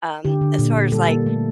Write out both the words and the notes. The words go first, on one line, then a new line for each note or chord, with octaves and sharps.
Um, as far as, like
D3 G4
D3
A#2
A#2
G3 A4
A#3
A3